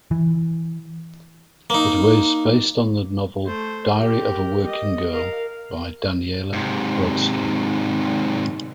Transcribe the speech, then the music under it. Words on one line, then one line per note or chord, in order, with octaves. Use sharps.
It was based on the novel "Diary of a Working Girl" by Daniella Brodsky.
E3
A#3 D#4
A3 C5
G4 A#4
D#5
A#4 F5
G#2 C3